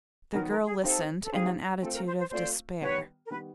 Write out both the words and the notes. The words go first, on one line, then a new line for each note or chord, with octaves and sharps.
The girl listened in an attitude of despair.
D#3 F#3 B3 D#4 A#4
A#4
G#4
C4 D#4 G4 A4 C5 F5
A4
C4 D#4 G4 G#4 C5 F5
A3 C4 F4 A4
A#4
C5
C5
A3 C4 F4 C5 D5
D#3 G3 B3 B4 C#5
A#4
D#3 G3 B3 B4